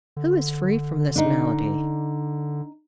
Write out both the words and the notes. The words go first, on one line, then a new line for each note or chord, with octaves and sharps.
Who is free from this malady?
D3
D4 D#4